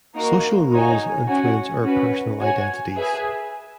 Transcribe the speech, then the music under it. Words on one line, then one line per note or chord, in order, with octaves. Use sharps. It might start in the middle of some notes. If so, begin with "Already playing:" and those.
Social roles influence our personal identities.
A#3 D#4 F#4 A#4
D#4 F#4 C#5 G#5
C#4 F#4 C#5 G#5
C#4 F#4 B4
F#4 C#5 G#5
G#4 B4 E5 G#5